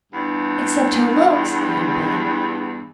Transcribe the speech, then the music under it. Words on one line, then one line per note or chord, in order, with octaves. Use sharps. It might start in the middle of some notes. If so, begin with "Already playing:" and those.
"Except her looks," added Beth.
E2 G2